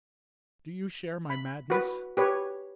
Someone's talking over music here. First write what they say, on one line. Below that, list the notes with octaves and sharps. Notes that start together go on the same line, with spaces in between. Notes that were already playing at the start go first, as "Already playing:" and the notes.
Do you share my madness?
B5
F#4 B4
G4 B4 C#5